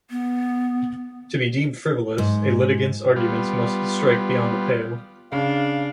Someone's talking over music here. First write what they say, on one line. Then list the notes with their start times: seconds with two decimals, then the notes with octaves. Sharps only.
To be deemed frivolous, a litigant's arguments must strike beyond the pale.
0.10 B3
2.18 G#2
3.16 G3 B3 F4
5.32 C#3 D4 F5